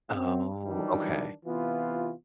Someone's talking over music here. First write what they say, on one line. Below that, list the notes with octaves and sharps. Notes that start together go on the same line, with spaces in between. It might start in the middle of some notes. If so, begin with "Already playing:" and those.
Oh, okay.
C4
D#3 E3 F#3 G3 D4 D#4
C3 E3 B3 F4